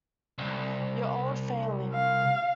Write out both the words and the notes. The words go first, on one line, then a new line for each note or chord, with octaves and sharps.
Your old failing.
C2
F5